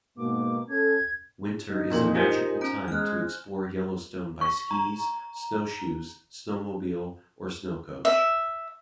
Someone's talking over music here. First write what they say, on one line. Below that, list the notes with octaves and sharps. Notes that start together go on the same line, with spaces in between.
Winter is a magical time to explore Yellowstone by skis, snowshoes, snowmobile, or snowcoach.
G#2 B2 A#3 D6
C#4 A4 G#6
D#4
F2 A#2 F#7
F4 G4 A#4 C5 G#5 A#6
C#4 A#5
G#3 F6 F#6
C#6
A#5
E5